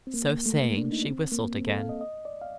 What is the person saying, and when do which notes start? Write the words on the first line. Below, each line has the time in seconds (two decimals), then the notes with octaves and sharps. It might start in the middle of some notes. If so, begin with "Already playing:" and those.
So saying, she whistled again.
0.07 C4
0.14 A#3
0.30 A#3
0.46 A3
0.61 A#3
0.77 D4
0.92 D#4
1.03 D4
1.08 C4
1.32 A#3
1.55 C4
1.67 A4
1.78 F5
1.89 D#5
2.01 D#5
2.25 D5
2.41 F5